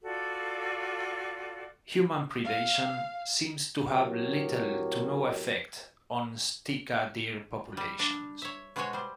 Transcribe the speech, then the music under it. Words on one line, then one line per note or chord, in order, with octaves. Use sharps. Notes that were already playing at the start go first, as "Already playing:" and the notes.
Human predation seems to have little to no effect on Sitka deer populations.
F4 F#4 A4 D5
F5
A2 C3 F#3 G4 A#4
G3
D4
C#5 E5
B2 G#3 F#4 C5 C#5 G#5
G3 C5